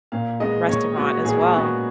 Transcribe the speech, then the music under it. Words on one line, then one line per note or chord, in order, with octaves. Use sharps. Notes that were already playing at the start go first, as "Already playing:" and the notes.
restaurant as well
A#2 F5
G#3 B3 D#5
A#2 C#5
G#3 B3 F#4
A#2 G#4
G#3 B3 F#4